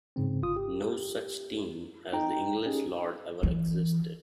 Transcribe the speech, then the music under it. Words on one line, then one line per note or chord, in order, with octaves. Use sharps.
No such team as the English Lords ever existed.
G#2 C#3 C4
G1 F4 D#6
G4
D#4 G5 A#5
C#4 D#4 G4 G#4
E3